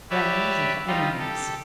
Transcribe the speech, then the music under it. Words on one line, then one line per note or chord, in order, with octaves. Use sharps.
"Friends and enemies!"
G4 B4 C#5 D5 E5
G3 D#4 F4 G4
G4 A4